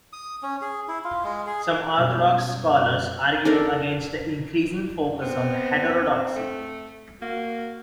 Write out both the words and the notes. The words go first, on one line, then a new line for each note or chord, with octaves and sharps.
Some orthodox scholars argue against the increasing focus on heterodoxy.
D#6
C#4
G#4
E4
F4
G#3
G#4
F#2 B2 G3
D4 A4 A#4
B3 C4
A3
A#3 F#4